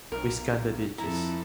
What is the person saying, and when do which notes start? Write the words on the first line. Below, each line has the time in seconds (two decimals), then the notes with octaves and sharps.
We scan the ditches.
0.12 B1 A#4
0.98 F2 E4 A4 A#5